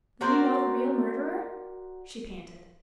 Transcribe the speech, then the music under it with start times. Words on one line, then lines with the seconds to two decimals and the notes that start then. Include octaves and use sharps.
"Then you know the real murderer?" she panted.
0.21 F#4 A#4 C5 D5